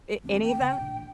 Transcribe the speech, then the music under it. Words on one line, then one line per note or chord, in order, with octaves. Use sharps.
A any of that?
D2 E3 C4 D4
G5
C#3
A1 A#2 D4